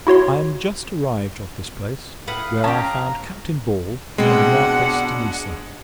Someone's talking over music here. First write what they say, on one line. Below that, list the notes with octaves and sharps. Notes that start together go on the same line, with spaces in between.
I am just arrived off this place; where I found Captain Ball, and the Marquis de Niza.
E4 F#4 C#5 C6
A2 B4 F5 F#5 D#6 F#6
C#4 G4 A5 A#5
B2 G#3 C4 D4 F#5